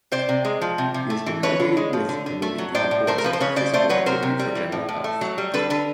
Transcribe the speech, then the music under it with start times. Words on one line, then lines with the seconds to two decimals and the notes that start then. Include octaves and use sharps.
He has been credited with promoting the importance of Physical Activity for general health.
0.12 C3 C5 D5
0.29 C3
0.45 G#3
0.61 F3
0.78 C3
0.94 C3
1.10 A3
1.26 E3
1.43 D3 B4 C#5
1.60 D3
1.77 G#3
1.93 F3
2.09 D3
2.26 D3
2.42 A3
2.58 F#3
2.75 A2 C5 D5
2.91 A2
3.07 A3 A#4 C5
3.18 A#4
3.24 F3 B4
3.33 C5
3.40 C#3 B4 C#5
3.56 C#3 C5 D5
3.73 A3 C5 D5
3.89 F#3 B4 C#5
4.06 C3 A#4 C5
4.23 C3
4.39 G3
4.55 E3
4.72 A2
4.89 A2
5.04 A3
5.21 F#3
5.38 G3
5.54 D3 A4 B4
5.70 D3 A4 B4